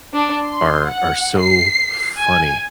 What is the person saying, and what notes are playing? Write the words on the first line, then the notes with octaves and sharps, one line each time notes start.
are are so funny
D4
C6
F#5
C7
G#5